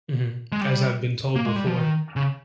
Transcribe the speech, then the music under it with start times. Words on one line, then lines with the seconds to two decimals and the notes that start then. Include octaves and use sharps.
Mhm. As I've been told before.
0.52 G#3
0.61 G3
1.36 A#3
1.46 G#3
1.56 G3
1.66 F3
1.78 D#3
2.16 C#3